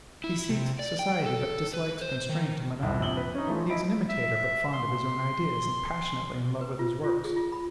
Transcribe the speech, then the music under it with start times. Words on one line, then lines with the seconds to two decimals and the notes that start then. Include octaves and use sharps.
He seeks society, but dislikes constraint and monotony; he is an imitator, but fond of his own ideas, and passionately in love with his works.
0.24 E4
0.50 C3
0.79 D5
0.99 G5
1.26 A4
1.74 B4
2.01 C5
2.29 D#3
2.83 C2 F2
3.00 A#1 C3 F#7 G7
3.17 B4
3.35 C#4 D#4
3.47 E3 F3 A3
3.70 E4 D#5 B5 D7
4.08 E5
4.73 C6
6.61 B4
6.79 F4
7.04 F4
7.25 G#4
7.36 F4
7.52 B5